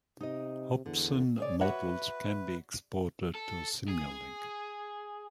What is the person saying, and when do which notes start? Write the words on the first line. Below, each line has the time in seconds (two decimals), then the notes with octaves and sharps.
Hopsan models can be exported to Simulink.
0.21 C3 D#4 D#5
0.86 E2 D3
1.38 G#4 C#5 D5
1.61 F#4 B4 C#5 E5 F#5
3.35 A4
3.88 G#4